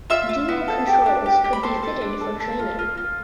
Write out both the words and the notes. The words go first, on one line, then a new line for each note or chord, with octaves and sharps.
Dual controls could be fitted for training.
F4 E5 E6
F4
B3
A4
G4
D4
G4
G4
B5
A4 C5 C6
A4
D4
A4
A4
F4
F4
F4